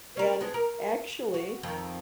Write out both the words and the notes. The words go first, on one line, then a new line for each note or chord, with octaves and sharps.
and actually,
C#4 A#4
G#3 B3 D4
A#4
F#4
F2 D#3